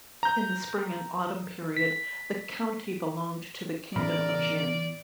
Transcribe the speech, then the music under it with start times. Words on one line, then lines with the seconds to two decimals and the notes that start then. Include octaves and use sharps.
In the Spring and Autumn period, the county belonged to the kingdom of Jin.
0.23 A#5 G6
1.77 B6
3.96 E2 A2 C4 C#4 A#4 D5 B5